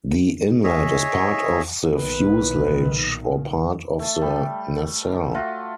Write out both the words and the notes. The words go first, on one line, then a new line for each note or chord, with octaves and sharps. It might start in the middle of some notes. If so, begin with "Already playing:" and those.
The inlet is part of the fuselage or part of the nacelle.
G#4 C#5 D#5 E5
B1 A#2 D#3 B4
A3 A5
G3
A3 F4 F#4